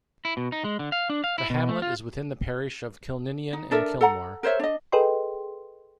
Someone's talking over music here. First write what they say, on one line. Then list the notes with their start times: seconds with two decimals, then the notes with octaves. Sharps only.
The hamlet is within the parish of Kilninian and Kilmore.
0.25 E4
0.37 B2
0.52 D#4
0.64 G#3
0.79 D3
0.92 F5
1.10 D4
1.24 F5
1.38 E4
1.50 B2
1.69 A3
1.82 F4
3.53 D#4
3.71 D4 A4 A#4 E5
4.01 A4 F#5 A#5
4.43 A#4 C5 C#5 E5
4.59 D4 D#5
4.92 G#4 A4 B4 D#5 G5 C6